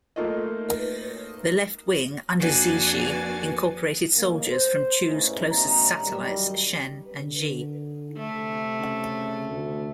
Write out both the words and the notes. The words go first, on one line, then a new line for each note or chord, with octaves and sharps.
The left wing under Zixi incorporated soldiers from Chu's close satellites Shen and Xi.
A3 A#3 D#4 F4 A4 D#5
F2 A#3 D4 F#4 G#5 A6
A1 D#2 D#3 A#3
C5
G#1 A2 C#3 C#4 D#4 E4
A1 B2 A3 C#4 D#4 A#5
F#2 D#3 G3
D3
C3 A3
C#3
D2